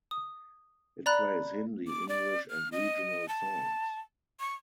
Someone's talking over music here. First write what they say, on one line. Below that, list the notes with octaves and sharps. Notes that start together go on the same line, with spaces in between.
It plays Hindi, English and regional songs.
D#6
D5 A#5 B5 F#6
D6
D5
F6
D#5
A5
C#6